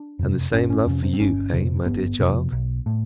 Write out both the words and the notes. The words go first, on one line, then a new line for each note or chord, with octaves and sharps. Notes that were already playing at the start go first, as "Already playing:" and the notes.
"And the same love for you--eh, my dear child?"
Already playing: D4
F2 C3
G1 C#4
C#4
F2 C3 C#4
C4
C4
G1 C#4
F2 C3 C4
G1 B3
F2 C3
B1
A2